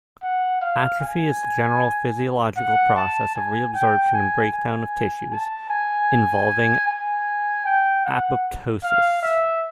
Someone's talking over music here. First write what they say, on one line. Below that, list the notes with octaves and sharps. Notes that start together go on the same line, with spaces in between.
Atrophy is the general physiological process of reabsorption and breakdown of tissues, involving apoptosis.
F#5
F5
G#5
F#5
A5
G#5
G5
G#5
G#5
A5
G#5
G#5
G5
F#5
F5
E5